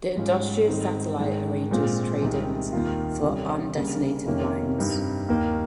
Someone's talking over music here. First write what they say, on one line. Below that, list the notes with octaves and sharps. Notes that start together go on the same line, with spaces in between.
The industrious Satellite arranges trade-ins for undetonated mines.
G#2 G3 C#4 F4
G#2 D#3 G3 C4 D#4
G#2 D#3 G#3
A#2 G#3 C4 F4
C2 C3 D#3 G#3
D#2 D#3 A#3 F4
C3 G3 C#4
C#3 G3 A#3
F2 C3 D#3 A#3 C#4
G2 G3 C4 D#4
D#2 D#3 A#3 D#4